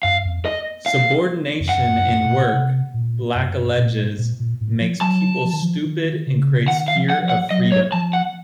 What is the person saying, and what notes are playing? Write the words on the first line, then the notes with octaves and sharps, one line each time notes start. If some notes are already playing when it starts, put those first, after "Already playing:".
Subordination in work, Black alleges, makes people stupid and creates fear of freedom.
F#2 F5
F2
D#5
F5
F2
F#2 F#5
F#2
A#2
C3
A#2
F#2
A#2
A#2
A#2
A2
F3
F#3 A5
F3
D#3
F3
D#3
C#3
C#3
D#3 F#5
F5
F3
F#5
F3
F#5
F#3 D#5
C#5
F3 A5
F#5